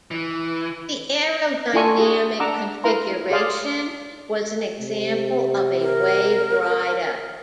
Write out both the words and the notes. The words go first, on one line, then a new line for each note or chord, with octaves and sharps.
The aerodynamic configuration was an example of a waverider.
E3
D4 E4 F4 A4 G#5 C#6
F#4 G#4
D4 F#5 A#5 D6 E6
E4 B4 F5 A#5 C6
G4 G#4 D5 F5 C6
C3
A#4